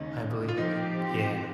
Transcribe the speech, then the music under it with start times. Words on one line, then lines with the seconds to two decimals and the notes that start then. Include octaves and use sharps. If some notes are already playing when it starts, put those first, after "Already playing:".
I believe it. Yeah.
Already playing: D#2 C#3 G#3 C#4 D#4
0.49 F4
0.57 F3 C4 D#4 G4